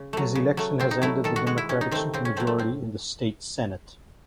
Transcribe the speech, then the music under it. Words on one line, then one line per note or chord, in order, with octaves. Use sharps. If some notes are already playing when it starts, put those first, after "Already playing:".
His election has ended the Democratic supermajority in the State Senate.
Already playing: C#3
F#3 A3
C#3
F#3 A3
C#3 C4
D#4
F#3 A3 E4
D#3 A4
F#4
G#3 F#4
E4
C3 C#4
D#4
D#3 A3 C4
C#3 C4
C#4
F#3 A3 C4
A3
A2 C4